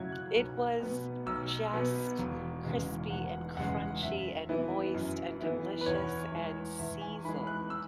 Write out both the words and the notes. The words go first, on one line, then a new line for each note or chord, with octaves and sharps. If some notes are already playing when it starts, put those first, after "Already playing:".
It was just crispy and crunchy and moist and delicious and seasoned.
Already playing: F#2 C#3 F#3 C#4 E4 F#6 G#6
F#6
B1
B2 B3
B1 E6
B2 B3
E1
E2 C#3 G#3
E1 F#5
E2 C#3 G#3 F#5
F#2 E5
E3 B3 E4
F#2
E3 B3 E4
B4
E2 C#5
E3 G#3
E2 E5
G#5
E3 G#3 B5
F#6
E6